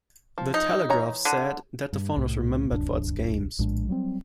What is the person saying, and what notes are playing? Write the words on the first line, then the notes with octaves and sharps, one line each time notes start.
"The Telegraph" said that the phone was remembered for its games.
F3
D#4
E3 C#5 A#5
D3
G2
C2 A2
D1 C2 F#2 D4
A#1 A2 G#3 D4
F#3 G3 A#3 C4